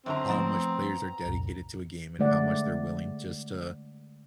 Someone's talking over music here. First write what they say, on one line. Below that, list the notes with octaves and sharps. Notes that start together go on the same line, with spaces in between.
how much players are dedicated to a game, and how much they're willing just to
F#2 D3 C4 A#5
F3 A3 B3 A#5
C2 F2 A#2
D3 G#3 A3 D5 F#5